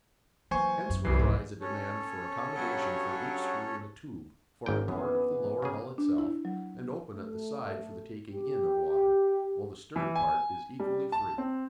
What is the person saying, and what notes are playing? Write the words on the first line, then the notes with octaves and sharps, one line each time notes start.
Hence will arise a demand for accommodation for each screw in a tube forming part of the lower hull itself and open at the side for the taking in of water, while the stern part is equally free.
E3 F#3 A#3 C5 G#5 C#6
F#2
C2 E3 C7
F1 G#2
C#4 A4 C#5
G2 F#3
G#1 G#2 A#3 C#4 G5
F#2 E3 B3 G#4
C#3 A#3 G#4 G5 A#5
D4
E4
F#3
A3
G4
E3
G#5
G3
A5
C4